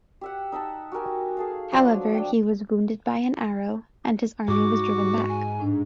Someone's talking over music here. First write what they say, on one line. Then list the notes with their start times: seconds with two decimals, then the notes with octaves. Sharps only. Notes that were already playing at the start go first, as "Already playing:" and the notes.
However, he was wounded by an arrow and his army was driven back.
0.21 G4 E5 F#5
0.52 D#4 E5 F#5 A5
0.92 F#4 G4 A#4 G#5
1.37 G#4 A4 F5
1.72 F3 F#3 D4
2.14 D4 G5
4.48 G#2 F#4 D6
5.28 G#5
5.60 A2 D4